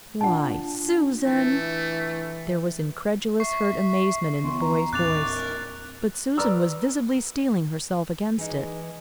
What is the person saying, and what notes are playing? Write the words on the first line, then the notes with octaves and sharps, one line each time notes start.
"Why, SUSAN!" There was incredulous, hurt amazement in the boy's voice; but Susan was visibly steeling herself against it.
A#2 D4 F4 F#5 A5
E3 A3
E5 C#6 C7
D2 E3 B3 C6
A#5
D#2 A2 C4 D6 F#6 A6 F7
A#4
B4 D5 A#5 E6 F6
E3 G#3 D#4 G#4